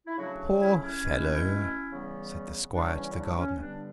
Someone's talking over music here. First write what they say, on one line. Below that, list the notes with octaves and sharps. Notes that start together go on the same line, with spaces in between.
"Poor fellow," said the squire to the gardener.
E4
C#3 F#3 A3 D4 F#4
C#4 E4
C#4 E4
B2 A3
C#3 E3 G3 B3
E2 C#3 E3 G3 D4
C#4
D4
C#4
G2 D3 G3 B3 D4